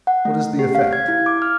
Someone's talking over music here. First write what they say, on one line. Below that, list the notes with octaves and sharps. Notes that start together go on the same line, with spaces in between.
What is the effect?
F#5
A3
G4
F5
G#6
E4
D6
F6